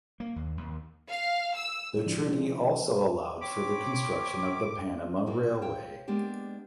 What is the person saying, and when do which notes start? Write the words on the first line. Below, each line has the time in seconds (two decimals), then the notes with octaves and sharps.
The treaty also allowed for the construction of the Panama Railway.
0.20 A#3
0.36 D#2
0.57 D#2
1.09 F5
1.56 E6
2.05 D3 F3 G#3 A3 D4 E4
2.32 G#4 C5
3.41 C4 C#5 B5 D6
5.26 A#2 A#3 D#4 F#4
5.62 C5 C#5 F5 G5
6.08 G#3 A#3 B3 D4 G4